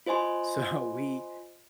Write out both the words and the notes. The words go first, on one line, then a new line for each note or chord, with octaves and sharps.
So we
F4 C5 D#5 G#5 C6